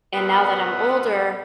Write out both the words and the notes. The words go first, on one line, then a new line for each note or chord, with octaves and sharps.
and now that I'm older,
F#2 A#2 B3